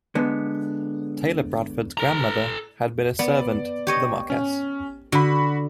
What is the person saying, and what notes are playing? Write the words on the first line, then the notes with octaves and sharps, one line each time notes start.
Taylor Bradford's grandmother had been a servant for the Marquess.
D3 G#3 B3
A4 A#5
B3 D5
G4 C#5 D#5
C#4
D3 F#4 B5